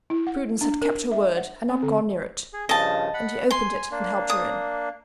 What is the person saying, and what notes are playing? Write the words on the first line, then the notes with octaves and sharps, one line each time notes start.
Prudence had kept her word, and not gone near it; and he opened it, and helped her in.
E4
F#5
D4
A#4
E5
F#5
C4
D3
G#4
G2 C#3 F3 D#5 A5
F#5 B5
G#5 C6
A#3 D4
D#6